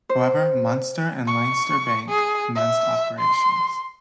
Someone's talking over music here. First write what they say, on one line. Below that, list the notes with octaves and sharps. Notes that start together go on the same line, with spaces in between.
However, Munster and Leinster Bank commenced operations.
C5
C#6
G#4
E5
C6